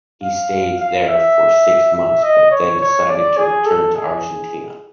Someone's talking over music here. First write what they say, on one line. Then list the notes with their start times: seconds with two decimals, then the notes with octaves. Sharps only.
He stayed there for six months, but then decided to return to Argentina.
0.23 F5
0.80 F5
1.08 E5
1.95 E5
2.23 D#5
2.51 C#5
2.80 C#5
3.09 D5
3.38 G#4
3.66 A4
3.95 G#4